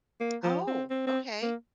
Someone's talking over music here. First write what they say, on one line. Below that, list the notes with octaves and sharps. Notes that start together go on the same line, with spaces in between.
Oh, okay.
A#3
F3
C4
C4
C4
A#3